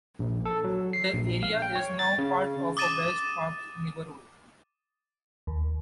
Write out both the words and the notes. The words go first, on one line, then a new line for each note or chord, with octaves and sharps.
The area is now part of a West Park neighborhood.
A#1
A4
F#3
C7
A#1
F5
G5
C#5
A6
C#3
D6 D#6 A6 D#7 E7
D#2